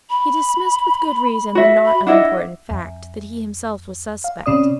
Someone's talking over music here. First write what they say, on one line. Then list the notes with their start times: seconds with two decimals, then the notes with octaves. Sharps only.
He dismissed with good reason the not unimportant fact that he himself was suspect.
0.10 B5
1.55 F#4 E5
1.85 B5
2.07 D4 E4 D#5 F#5
2.71 F2
4.24 F5
4.46 C3 C#4 D5 D#6